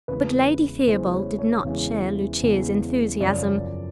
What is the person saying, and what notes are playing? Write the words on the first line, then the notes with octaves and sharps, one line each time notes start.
But Lady Theobald did not share Lucia's enthusiasm.
E2 C#3 E3 G#3 B4
E2 C#3 E3 G#3 C5
C#5
C#5
E2 C#3 E3 G#3
E2 C#3 E3 G#3
F#2 C#3 F3 D5